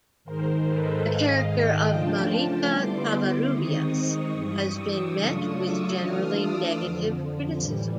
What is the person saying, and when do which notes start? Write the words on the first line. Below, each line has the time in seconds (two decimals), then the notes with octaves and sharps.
The character of Marita Covarrubias has been met with generally negative criticism.
0.24 G#2 D#3 G#3 A#4 C5
0.65 A4 B4
1.06 G#2 D#3 G#3 D#5 F5
1.46 F5 G5
1.88 C#3 F3 A3 D4 F4 G5 A5
2.68 D3 G3 B3 E4 C6 D6
3.09 C6 D6
3.50 D#3 G#3 C4 D#4 C#6 D#6
4.31 G2 E3 G3 C#6 D#6
4.72 D6 E6
5.13 C#3 F#3 A3 D4 F4 C#6 D#6
5.54 D6 E6
5.94 E3 A3 D4 F4 D#6 F6
6.35 D6 E6
6.77 F2 D3 F3
7.57 A2 E3 G3